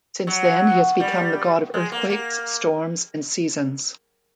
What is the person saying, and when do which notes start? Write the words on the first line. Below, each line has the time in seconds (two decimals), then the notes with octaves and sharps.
Since then he has become the god of earthquakes, storms and seasons.
0.27 F#3
1.00 G3
1.74 G#3
1.92 A#3
2.10 A#3